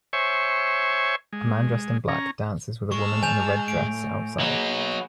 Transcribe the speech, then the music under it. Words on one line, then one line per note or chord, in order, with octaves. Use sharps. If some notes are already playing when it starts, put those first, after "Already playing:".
A man dressed in black dances with a woman in a red dress outside.
C5 C#5 E5 G#5 C#6
G#3
C#4 A#5
G#3 A5 C#6 E6 F6
G#5 G6 F7
A2 D7
F#3 A#3 G#4 B4 D#5